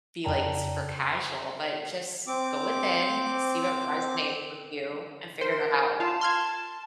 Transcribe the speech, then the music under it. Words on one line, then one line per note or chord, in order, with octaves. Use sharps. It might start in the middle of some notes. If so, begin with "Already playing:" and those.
be, like, super casual, but just go within, see what resonates with you, and figure that out.
F2 C#3 D5 G5 A5 A#5
C4 D6
A#4 C5
F4 A5
C6 F6 G#6